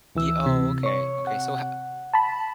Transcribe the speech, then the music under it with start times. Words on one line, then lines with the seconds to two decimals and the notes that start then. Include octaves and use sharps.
Y oh, okay, okay. So ho
0.15 D2 E3 E6
0.46 C3
0.83 C#5 C#6
1.27 F#5
2.13 A5 B5